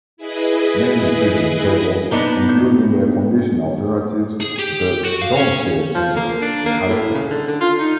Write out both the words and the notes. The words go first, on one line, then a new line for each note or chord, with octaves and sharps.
Many decision tables include in their condition alternatives the don't care symbol, a hyphen.
E4 G#4 B4 D#5
B3 D4 D#4
G#4
G4
F#4
F5
C#4
F3
A#3
D4
A#3
A2
C#3
D3
D3
F4
D#4